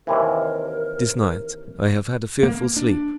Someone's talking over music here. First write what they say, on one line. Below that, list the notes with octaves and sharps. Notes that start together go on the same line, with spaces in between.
This night I have had a fearful sleep.
D#2 C3 E3 A#4
A#3
D4